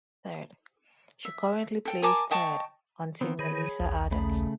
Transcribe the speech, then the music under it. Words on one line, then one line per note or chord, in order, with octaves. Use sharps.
She currently plays third on Team Melissa Adams.
E5
A4 G5
A#4 G#5 A5 D6
D#5 G5 A5 C#6
D#3 B3 C4
D#3 G#4 C#5 B5
A#1 D#2
C#3 A3 B5